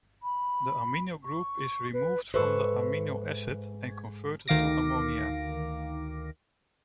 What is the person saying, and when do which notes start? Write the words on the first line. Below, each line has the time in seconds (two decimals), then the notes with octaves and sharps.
The amino group is removed from the amino acid and converted to ammonia.
0.23 B5
1.24 C#6
1.93 B4
2.34 G#2 A4 B4 C5 E5 C#6
4.48 D2 D#3 F5 D6 A#6